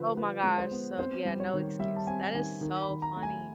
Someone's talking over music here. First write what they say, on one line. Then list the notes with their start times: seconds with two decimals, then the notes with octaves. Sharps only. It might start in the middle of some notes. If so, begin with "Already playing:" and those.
Oh my gosh. So, yeah, no excuse. That is so funny.
Already playing: D3 F3 B4 C5
0.16 F3 B4
0.43 G#3
0.58 C5
0.71 B3
0.99 C4 C5
1.25 G3
1.40 C#5
1.53 D#3
1.79 G3 E5
1.96 A5
2.07 C4 G#5
2.34 D#3 G#5
2.61 D#3
2.82 B5
2.89 D#3
3.02 A#5
3.16 A3
3.23 G#5